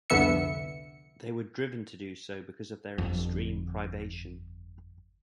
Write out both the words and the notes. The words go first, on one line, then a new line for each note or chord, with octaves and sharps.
They were driven to do so because of their extreme privation.
C2 F2 D3 B3 E5 C#7
G1 F2